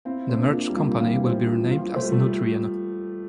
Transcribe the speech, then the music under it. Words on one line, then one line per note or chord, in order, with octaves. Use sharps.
The merged company will be renamed as Nutrien.
C4 E4 F5
C5
A#3 D4
F4
G3 A#3
F4
E3 G3 F5
C5
F3
F4
F3
F4
A3 C5
G3
F3 A3